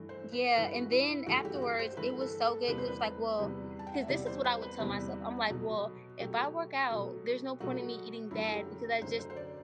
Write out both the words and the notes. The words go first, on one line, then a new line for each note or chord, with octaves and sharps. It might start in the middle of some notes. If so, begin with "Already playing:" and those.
Yeah, and then afterwards, it was so good, 'cause it was like, "Well," 'cause this is what I would tell myself. I'm like, "Well, if I work out, there's no point in me eating bad, because I just,
Already playing: G2 E3 A3
C5
B4
G2 E3 A3 B4
F#4
E4
E4
G2 E3 A3 F#4
G4
F#4
G4
C5
G2 E3 A3 B4
A4
A4
E2 C3 G3 B3 B4
C5
B4
E2 C3 G3 B3
A5
G5
F#5
E5
E2 C3 G3 B3 D5
C5
C5
B4
E2 C3 G3 B3
B2 F#3 A3
B2 F#3 A3 G4
B2 F#3 A3
B2 F#3 A3 F#4
F#2 D3 F#3 A3 E4
G4
F#2 D3 F#3 A3 C5
C5
C5
D5